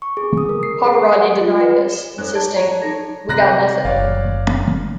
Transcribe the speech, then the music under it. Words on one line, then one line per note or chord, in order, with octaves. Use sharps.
Pavarotti denied this, insisting: We got nothing.
C#6
G#4
D#6
A#4
C7
G#4
F#5
F4
B4
E7
G#2 A4 C#5 F#6
A5 G#6 D7
C#5 A#5
D#4 A4 A#6
C3 A#5 F#6 A#6
F#1 C#5 D5 F5